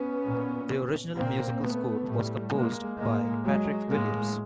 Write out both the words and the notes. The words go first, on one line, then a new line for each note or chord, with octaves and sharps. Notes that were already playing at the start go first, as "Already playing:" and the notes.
The original musical score was composed by Patrick Williams.
Already playing: B3 C#4
A#2
A#2 A#3 C4
A3 B3
A2 G3 A3
G#3 A#3
A2 G#3 A#3
F#3 G#3
A2 G#3 A#3